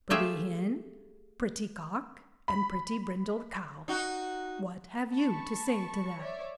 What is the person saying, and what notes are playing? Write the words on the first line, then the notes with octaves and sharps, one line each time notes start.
"Pretty Hen, pretty Cock, And pretty brindled Cow, What have you to say to that?"
A3 F4 G4 G#4 E5
B5
D#4 F#4
A5 B5 C#6
C#5 D5 E5